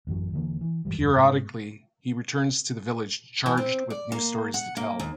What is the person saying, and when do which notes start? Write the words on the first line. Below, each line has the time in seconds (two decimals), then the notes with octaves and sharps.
Periodically, he returns to the village charged with new stories to tell.
0.07 A1 F#2 E3 F#3
0.32 E1 D3 E3 A#3
0.61 E3
0.85 G#2 D#3 E3 G3
0.98 E2 G2
1.16 G#2 B2
3.46 E3
3.58 C4
3.90 D5
4.12 A#3
4.54 F#5
4.77 A#3
5.00 D#2